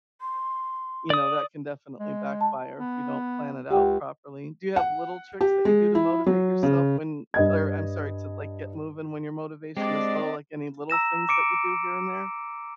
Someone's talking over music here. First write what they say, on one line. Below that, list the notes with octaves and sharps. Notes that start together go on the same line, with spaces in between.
you know, that can definitely backfire if you don't plan it out properly. Do you have little tricks that you do to motivate yourself when Or I'm sorry, to, like, get moving when your motivation is low? Like, any little things that you do here and there?
C6
D5 D#6
G#3
A5
B3
C#2 G4 F#5 G5
F#5
G4
G#3
E4
F#3
C#3
G2 D#5 G#6
G#3 C4 D4 G4 D5 D#5
A#5 E6 A#6 E7
D6 C#7 D7